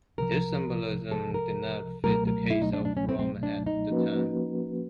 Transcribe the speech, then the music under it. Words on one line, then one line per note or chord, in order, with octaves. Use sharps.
This symbolism did not fit the case of Rome at the time.
C2 C3 F3 A#4
A4
A#4
C#2 B2 F#3 A3 A#4
A#4
E4
D#4
D4
D4
C#4
C4
C4
D4
D#4
F3 A#3 C#4 F#4 B4